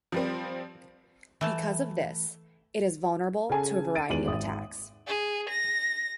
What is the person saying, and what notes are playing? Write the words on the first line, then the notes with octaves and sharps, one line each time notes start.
Because of this, it is vulnerable to a variety of attacks.
F3 G3 C4
E3 A3 A5
C#3 A4 G#5 A5
A6 D7 D#7
E2 D#3 G#3 D#7 F#7
G#1 E5 D#6
G#4
A#6